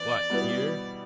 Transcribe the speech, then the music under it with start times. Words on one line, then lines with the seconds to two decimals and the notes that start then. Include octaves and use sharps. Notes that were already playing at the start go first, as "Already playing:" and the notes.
"What, here?"
Already playing: E3 B3 D5
0.30 B2 G3 B3 E4